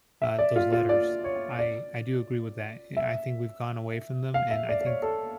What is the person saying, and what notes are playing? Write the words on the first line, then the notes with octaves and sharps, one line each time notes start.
uh, those letters, I I do agree with that yeah I think we've gone away from them and I think
E5
D5
F4
F4
D5
C#5
D5
E5
F5
E5
D5
D5
C#5
A4